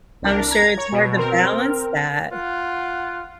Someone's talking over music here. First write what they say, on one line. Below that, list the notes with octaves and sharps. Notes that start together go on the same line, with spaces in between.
I'm sure it's hard to balance that.
C2 D4 A#4
A#5 G#6
C#5
B2
C4 A#4
F4 F#5